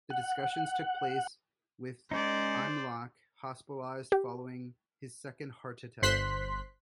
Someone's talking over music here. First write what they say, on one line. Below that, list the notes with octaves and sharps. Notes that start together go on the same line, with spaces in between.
The discussions took place with Imlach hospitalized following his second heart attack.
F#5
G#3 C#4 D#4 C5 D5
G4
G1 C5 C6 F#6 B6